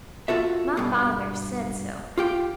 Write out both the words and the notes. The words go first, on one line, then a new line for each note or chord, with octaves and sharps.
My father said so.
F4 F#4 A4 E5
G2 B2
F4 G4 G5